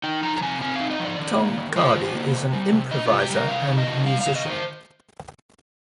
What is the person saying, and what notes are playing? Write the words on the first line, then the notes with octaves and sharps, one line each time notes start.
Tom Cardy is an improviser and musician.
D#4 G5
F3 A#5
A#5
C3 G#5
C4 G#5
D#4 F5
D#5
F3
D5
D#3
A#3
D#3
F4 C5
D#3
A#3
C3
G3
C3
D4 D#5
F4
C3
G4
G3 A#4
C3 F5
D#3
D#5
C3
G3 F5
C3 F5
D#5
D#3 C5